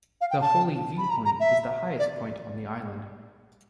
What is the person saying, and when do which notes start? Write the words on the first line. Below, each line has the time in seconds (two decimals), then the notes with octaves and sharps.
The Holy viewpoint is the highest point on the island.
0.21 F5
0.31 G5
0.41 A5
0.98 B5
1.10 A#5
1.25 A#5
1.40 E5
1.99 D5